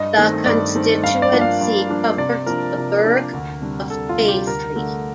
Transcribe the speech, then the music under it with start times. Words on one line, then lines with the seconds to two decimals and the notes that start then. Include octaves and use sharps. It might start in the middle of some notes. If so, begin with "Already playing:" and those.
The constituency covered the burgh of Paisley.
Already playing: G2 D#5
0.17 D#3 A3 C4
0.46 G2 D5
0.75 D#3 A3 C4
1.03 G2 F5
1.22 D5
1.32 F3 A#3 D4
1.41 F5
1.61 G2
1.89 F3 A#3 D4
2.17 C3 D5
2.46 F3 A#3 D4 A#4
2.75 C3
3.04 F3 A#3 D4
3.33 D2
3.61 C3 G3 D4
3.90 D2 A4
4.09 F4
4.19 C3 G3 D4
4.28 G4
4.47 D2 A#4
4.76 D3 A3 D4